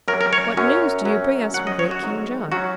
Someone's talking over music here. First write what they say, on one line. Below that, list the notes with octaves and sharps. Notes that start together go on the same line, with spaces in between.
"What news do you bring us from great King John?"
F#2 F#3 C#4 A#4
A#4
C#5
F#2 F#3 C#4
F#2 F#3 C#4
F#2 F#3 C#4 F#5
D#5
C#5
F#4
G#1 G#2 F#3 C#4
F#3 C#4 F#4